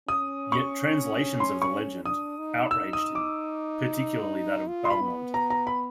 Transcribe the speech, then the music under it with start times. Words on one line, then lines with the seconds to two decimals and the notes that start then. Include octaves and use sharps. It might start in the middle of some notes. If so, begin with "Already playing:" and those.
Yet translations of the legend... outraged him, particularly that of Balmont.
0.08 C#4 D#6
0.52 C#6
1.40 C6
1.62 C#6
2.05 D4 D#6
2.38 D#4
2.71 D#4 E6
2.93 D#6
3.15 D6
4.68 F4
4.85 C6
4.90 B5
5.01 B3
5.34 A#5
5.50 A#5
5.67 B5